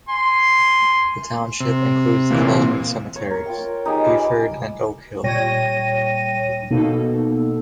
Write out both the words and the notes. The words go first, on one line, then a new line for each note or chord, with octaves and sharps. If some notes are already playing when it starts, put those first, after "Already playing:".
The township includes the following cemeteries: Beauford and Oak Hill.
G#5 C6
C3
A#2 E3 A#3
C#5
A#4
F4 G5
D#4 G4 G#4
A#4 B4 D6
A#2 G3 C#5 G5 A#6 D#7
B2 A#3 B3 D#4 A4